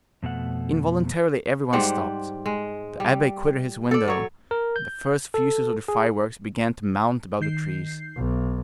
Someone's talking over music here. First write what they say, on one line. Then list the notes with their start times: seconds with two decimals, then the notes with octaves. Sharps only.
Involuntarily every one stopped; the abbe quitted his window; the first fuses of the fireworks began to mount above the trees.
0.23 F2 B2 A3 F#5
1.73 G#2 G3 C5 F#5
2.46 G#3
3.00 G3
3.91 A4 D5
4.08 F#3 C#5
4.51 A#4
4.76 G6
5.34 A4
5.88 G#4
7.41 D#3 G6 C7
8.16 B1